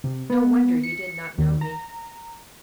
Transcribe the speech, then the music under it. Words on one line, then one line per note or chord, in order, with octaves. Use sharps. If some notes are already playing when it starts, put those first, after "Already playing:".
No wonder you did not know me.
C3
B3
C#7
D#2
A#5